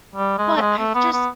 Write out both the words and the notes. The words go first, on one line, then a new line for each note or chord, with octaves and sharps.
but I've just
G3
G#3
A3
G#3
A3
B3
B3